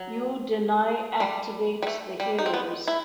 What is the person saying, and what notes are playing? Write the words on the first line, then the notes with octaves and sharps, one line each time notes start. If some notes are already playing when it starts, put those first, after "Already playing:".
You deny activate the heroes.
Already playing: F#3
G3
G3
A3
G3
D#4
C4
B3
E4